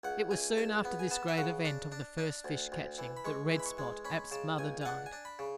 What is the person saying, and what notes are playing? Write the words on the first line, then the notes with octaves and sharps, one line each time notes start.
It was soon after this great event of the first fish-catching that Red-Spot, Ab's mother, died.
C#2 F#5
C#2 G#5
C#2 A5
B3
G#5
B3 A5
E5
C#3 F#5
D4 D6
D4
D4
D2
D2
E3
B5
G#3 C#6
E3
B5
C#6
G#3
C#4 B5
C#3 A5
C#2 G#5
G#5
D4 F#5
G#5
D4
B5
C#3